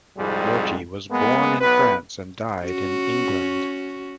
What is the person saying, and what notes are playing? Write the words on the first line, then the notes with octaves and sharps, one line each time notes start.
Lortie was born in France and died in England.
C2 F2 G#2 G3 G#3
G#3 A#3 B3
B1 B3 B4
C#4 F#4